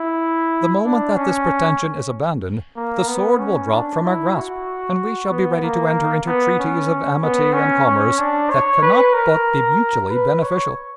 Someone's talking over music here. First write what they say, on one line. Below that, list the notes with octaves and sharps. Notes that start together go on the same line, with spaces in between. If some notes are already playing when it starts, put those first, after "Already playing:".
The moment that this pretension is abandoned, the sword will drop from our grasp, and we shall be ready to enter into treaties of amity and commerce that can not but be mutually beneficial.
Already playing: E4
D4
C#4
A#3
B3
C#4
D4
E4
F#4
B3
A#3
B3
C#4
B3
C#4
C#4
D4
C#5
B4
A#4
B4
C#5